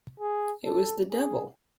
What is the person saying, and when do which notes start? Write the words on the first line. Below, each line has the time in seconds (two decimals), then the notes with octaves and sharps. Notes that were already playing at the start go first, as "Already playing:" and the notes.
It was the devil!
0.20 G#4
0.65 A4
1.11 G#4